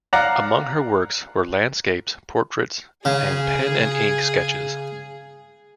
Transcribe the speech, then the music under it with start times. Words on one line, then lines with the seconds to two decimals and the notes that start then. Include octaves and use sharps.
Among her works were landscapes, portraits and pen and ink sketches.
0.13 D5 F5 F#5 A#5
3.05 C#3 G#4